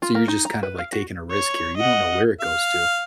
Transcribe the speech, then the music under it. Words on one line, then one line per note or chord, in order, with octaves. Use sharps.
So you're just kind of like taking a risk here, you don't know where it goes to.
F4
A#3
D#4
A#5
B4
F5
F#4
C#5
D#5 F#5
F5